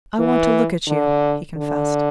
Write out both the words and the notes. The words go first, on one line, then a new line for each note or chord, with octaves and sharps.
"I want to look at you," he confessed.
E3
D3
D3